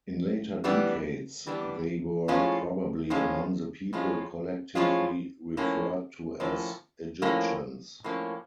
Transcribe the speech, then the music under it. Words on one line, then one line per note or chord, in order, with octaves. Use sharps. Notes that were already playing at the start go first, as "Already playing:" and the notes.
In later decades, they were probably among the people collectively referred to as "Egyptians".
E3 G3 B3 D4
E3 G3 B3 D4
A2 F3 G#3 C#4 F4
A2 F3 G#3 C#4 F4
A2 F3 G#3 C#4 F4
A2 F3 G#3 C#4 F4
A2 F3 A#3 C#4
A2 F3 A#3 C#4
A2 F3 A#3 C#4
A2 F3 A#3 C#4